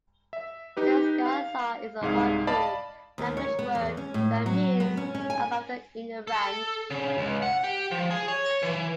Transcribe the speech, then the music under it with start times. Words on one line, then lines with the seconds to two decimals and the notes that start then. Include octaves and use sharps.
Destghil sar is a Wakhi language word, that means above the inner ranch.
0.33 E5
0.77 D#4 G4 B4
1.26 F5
2.01 C2 G#2 G#4 F5
2.47 D5 D#5 F5 A5 B5
3.18 D#2
3.37 C#5
3.59 B3
3.75 E2
3.97 C#4
4.14 A2
4.46 F#3
4.80 B3
4.97 C#4
5.15 C#4
5.30 G#5
6.27 A4
6.90 C#3
7.18 C#2
7.42 F#5
7.64 G4
7.91 F3
8.11 G#4
8.28 C#5
8.62 E3